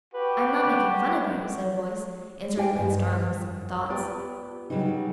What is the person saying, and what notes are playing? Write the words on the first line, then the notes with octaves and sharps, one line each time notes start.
"I am not making fun of you," said a voice, answering Prince Darling's thoughts.
F#4 G4 B4
A#3 G4 D5 F5 G5 G#5
G2 D#3 B3
F#2
B3 F4 G4 D5
C#3 F#3 G3 B3 D#4